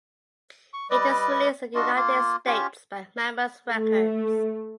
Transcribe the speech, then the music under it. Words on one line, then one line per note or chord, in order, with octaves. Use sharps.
It was released in the United States by Mammoth Records.
C#6
G3 B4 D5 D#5
D4 F4 F#4 D#5
A#3 F4
C#4 F4 G4
A3